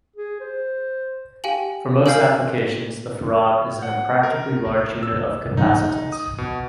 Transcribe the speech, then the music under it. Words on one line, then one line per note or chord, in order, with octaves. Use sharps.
For most applications, the farad is an impractically large unit of capacitance.
G#4
C5
G4 F5 G5 G#5 F#7
A#4 F5 G#5 F6 G6 C7
F#5
A#4
A#4
E6
D#4
D#6
B2